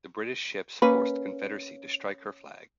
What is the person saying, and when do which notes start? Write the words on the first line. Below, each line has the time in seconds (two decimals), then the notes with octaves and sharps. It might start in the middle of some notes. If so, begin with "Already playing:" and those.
The British ships forced "Confederacy" to strike her flag.
0.82 A#3 C#4 B4